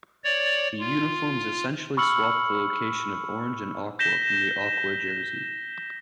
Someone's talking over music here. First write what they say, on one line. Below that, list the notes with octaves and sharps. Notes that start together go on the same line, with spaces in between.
The uniforms essentially swapped the location of orange and aqua from the aqua jersey.
C#5 D5
F4
B5 C#6 E6 F6 C#7 F#7
G6 A#6 B6 E7 G7